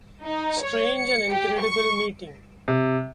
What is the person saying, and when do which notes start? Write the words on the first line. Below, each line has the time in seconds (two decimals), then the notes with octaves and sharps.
Strange and incredible meeting!
0.24 D#4
0.62 C#5
1.00 C#7
1.33 G4
1.62 C#6
2.68 C3